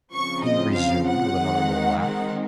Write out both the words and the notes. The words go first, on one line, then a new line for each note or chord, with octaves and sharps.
He resumed with another little laugh.
C#3 F3 C4 C#6
D#5
F5
F#5
D#3 G#3 C4 D#4
F#5